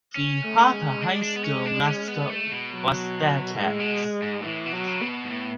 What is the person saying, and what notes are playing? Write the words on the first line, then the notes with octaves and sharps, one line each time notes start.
The Harper High School mascot was Bearcats.
C#4
A3
G#3
D4
D4
B3
C#4
D4
C#4
B3
A3
B2
F#3
A2 G#3
B2
G#2
A2 E3
B2
F#3
C#3
B3
B2
G#2
A2